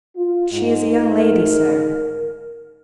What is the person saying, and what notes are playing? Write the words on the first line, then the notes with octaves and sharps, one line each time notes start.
"She is a young lady, sir."
F4
G#2 D#4
A#4